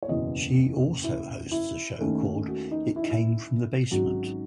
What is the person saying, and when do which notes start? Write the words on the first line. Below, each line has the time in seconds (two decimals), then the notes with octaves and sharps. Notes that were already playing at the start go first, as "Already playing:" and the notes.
She also hosts a show called It Came From The Basement!
0.03 C#5
0.08 F#1 E2 B2 D#5
1.04 E4
1.51 E4
2.00 D#2 D#3 A3 C#4
2.48 F#4
2.71 D#4
2.96 E4
3.02 D#4
3.10 E4
3.91 G#1 G#2 F#3 C#4 F#4